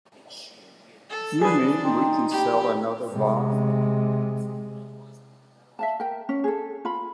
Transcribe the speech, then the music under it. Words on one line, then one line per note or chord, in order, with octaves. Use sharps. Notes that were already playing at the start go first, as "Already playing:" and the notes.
You mean we can sell another bond?
A4
D4 G#4 B4
D#4 G5 C6
G4 G5 B5
C3 G#3
E5 F5 A5
A#4 G5
C#4
G#4 A4
F4 B5